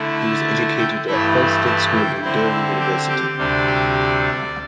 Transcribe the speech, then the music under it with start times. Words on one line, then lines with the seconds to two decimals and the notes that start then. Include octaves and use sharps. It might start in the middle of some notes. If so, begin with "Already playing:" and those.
He was educated at Felsted School and Durham University.
Already playing: D3 A3 E4
0.21 A5
0.78 G5
1.07 G2 E3 A3 E4 E5
1.65 A5
1.93 G5
2.22 D3 C4 E4
2.51 E4
2.80 G4
3.08 G4
3.37 D2 C3 G3 D4
3.66 G4
4.24 D5